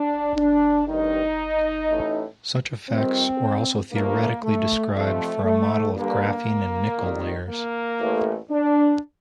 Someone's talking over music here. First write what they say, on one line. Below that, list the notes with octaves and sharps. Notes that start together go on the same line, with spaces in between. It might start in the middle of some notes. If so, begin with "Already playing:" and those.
Such effects were also theoretically described for a model of graphene and nickel layers.
Already playing: D4
D4
A1 G2 D#3 G3 D#4
A1 A2 A3
F2 D#3 G3 C4
G2 F3 A3 A#3
A3
F2 C3 F3 A3
A3
G2 D3 G3 A#3
F2 D#3 G3
A#3
A1 A2 A3
D4